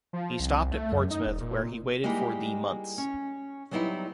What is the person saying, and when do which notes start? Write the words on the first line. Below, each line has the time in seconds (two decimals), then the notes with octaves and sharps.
He stopped at Portsmouth where he waited for thee months.
0.13 F3
0.40 C2
0.72 A3
0.92 F#2
1.11 D#4
1.27 E1
1.41 A#2
2.04 G3 G#3 A#3 D#4 E4 G4
2.98 C#4
3.71 F#3 G3 B3 C4 D#4 E4